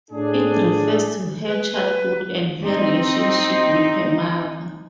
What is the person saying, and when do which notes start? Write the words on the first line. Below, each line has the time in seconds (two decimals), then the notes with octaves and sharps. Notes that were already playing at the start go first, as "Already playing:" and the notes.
It refers to her childhood and her relationship with her mother.
0.11 A2 D4 G#4
1.47 B4
2.63 C4 D#4